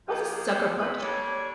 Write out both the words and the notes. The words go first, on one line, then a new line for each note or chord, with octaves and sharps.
That's a sucker punch.
F3 A#3 B3 D#4 E4 G4
A#3 C#4 D4 G4 C5
E2 C3 G#3 A#3 E4 B4
D#2 G3 D4 A4 C#5